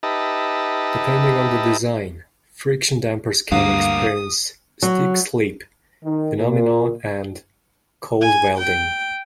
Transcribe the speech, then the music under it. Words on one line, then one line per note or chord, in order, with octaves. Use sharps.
Depending on the design, friction dampers can experience stick-slip phenomenon and Cold welding.
D#4 G4 B4 D#5 E5 A5
D2 G2 F#3 A#3 F5 D#6
F#3
D#3
A#2
G#5
G5